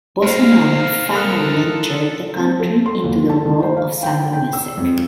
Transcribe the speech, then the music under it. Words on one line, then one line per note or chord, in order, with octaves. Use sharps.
Bossa nova finally entered the country into the world of samba music.
C3 A#3 C5 F5
A4 A#4 C6 D#6 F#6
C4
A4
C6
D#2
A5
D#3
C5
F5
G5
G5
E6
F2